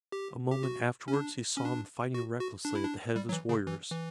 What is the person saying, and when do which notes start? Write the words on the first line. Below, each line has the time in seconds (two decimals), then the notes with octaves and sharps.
A moment afterward he saw him fighting recklessly at the head of his warriors.
0.12 G4
0.51 G4
0.63 F#4
1.08 C#4
1.13 D4
1.57 C#4
1.65 D4
2.14 F#4
2.40 F#4
2.65 D4
2.75 E4
2.84 D4
3.16 G3
3.29 F#3
3.32 E3
3.49 C#3
3.67 E3
3.92 E3